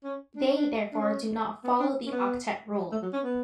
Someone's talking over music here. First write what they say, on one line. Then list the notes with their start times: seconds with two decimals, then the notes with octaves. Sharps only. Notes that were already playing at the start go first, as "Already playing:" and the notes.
They therefore do not follow the octet rule.
0.04 C#4
0.36 D4
0.46 C#4
0.56 D4
0.92 D4
0.99 C#4
1.64 B3
1.79 D4
2.06 C#4
2.12 B3
2.91 A3
3.02 F#3
3.13 C#4
3.23 B3